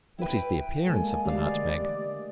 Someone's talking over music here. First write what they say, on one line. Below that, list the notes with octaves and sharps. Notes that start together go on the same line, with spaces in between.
What is the appearance of the Nutmeg?
E4 B4 G5
G#3 A#3 A4 G#5
D3 E3 G#3 A3 G4 G#4 D5 F5